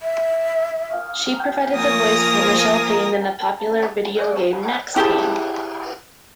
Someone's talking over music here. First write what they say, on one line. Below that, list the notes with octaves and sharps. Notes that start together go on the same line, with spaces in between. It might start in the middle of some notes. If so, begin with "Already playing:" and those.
She provided the voice for Michelle Payne in the popular video game "Max Payne".
E5
F3 A#3 G#5 D#6 A#6
E4 G4 G#4 A5